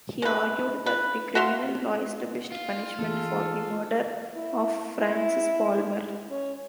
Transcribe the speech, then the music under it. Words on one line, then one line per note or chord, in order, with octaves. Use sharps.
He argued that the criminal law established punishment for the murder of Francis Palmer.
G#3 B4
B4
F#4 E5 F5 C6
F4
E3 A#3 G#4 A4
E4
E4
C#4